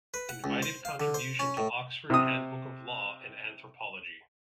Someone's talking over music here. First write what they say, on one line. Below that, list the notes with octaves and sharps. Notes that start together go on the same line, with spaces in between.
Invited contribution to Oxford Handbook of Law and Anthropology.
B4
F#5
C#2
C5
F5
D3
C5
C#4
A2
C3 D#6